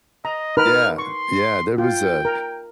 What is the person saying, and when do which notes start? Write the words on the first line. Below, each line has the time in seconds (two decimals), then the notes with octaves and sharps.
Yeah, yeah, there was a
0.25 D#5 A#5
0.57 D#4 A#4 B4 F6
0.98 C6 C#6
1.78 F4 G5
2.25 A#4